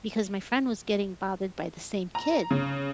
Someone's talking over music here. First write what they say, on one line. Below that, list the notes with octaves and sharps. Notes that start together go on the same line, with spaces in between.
because my friend was getting bothered by the same kid.
A#5
C#3